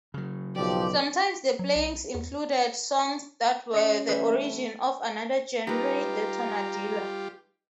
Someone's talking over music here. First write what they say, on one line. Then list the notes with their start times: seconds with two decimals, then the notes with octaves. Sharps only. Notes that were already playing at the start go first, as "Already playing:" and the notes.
Sometimes the playings included songs that were the origin of another genre, the tonadilla.
0.14 C#3 F#3
0.56 B1 F3 G4 D5
1.59 F#3
1.76 B1
2.14 E2
3.74 C#4 D#5 D#6 C#7
4.09 E3 G3 A3 G#4 B4 E5
5.67 G3 D#4 F4 G4 B4 A#5